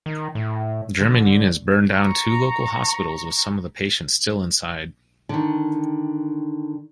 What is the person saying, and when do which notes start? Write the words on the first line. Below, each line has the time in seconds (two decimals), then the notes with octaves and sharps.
German units burned down two local hospitals with some of the patients still inside.
0.06 D#3
0.35 A2
1.00 D3
1.95 A#5 C#6
5.29 D3 D#3